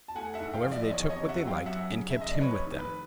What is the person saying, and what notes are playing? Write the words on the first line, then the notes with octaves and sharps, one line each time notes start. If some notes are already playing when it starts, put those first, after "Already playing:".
However they took what they liked, and kept him with them.
A5
A3 F#5 G#5
E5 F#5
G#2
F5 G5
F3
D5 E5
D5
E2 C#5 D#5
C#5 D#5
C3
E5 F#5
F#3
F5 G5
F#2 E5 F#5
C#3
E5
F#1 D#5
D5
F1 B4 C#5
D#3
B4